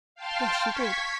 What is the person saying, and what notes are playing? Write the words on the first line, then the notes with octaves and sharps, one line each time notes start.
"Yes, she did."
F5 G5 A5 C6 F6
C#6 G#6 B6